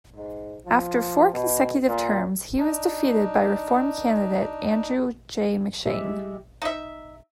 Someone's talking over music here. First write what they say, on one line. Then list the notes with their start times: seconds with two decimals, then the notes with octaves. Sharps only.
After four consecutive terms he was defeated by reform candidate Andrew J. McShane.
0.15 G#2
0.65 F3
1.33 B2
1.87 A#2
2.58 D4 D#4
5.86 G3 G#3 G4 E5
6.62 D#4 E5